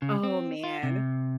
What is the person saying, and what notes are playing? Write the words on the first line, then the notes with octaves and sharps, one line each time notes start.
Oh, man.
C#3
C4
F4
C3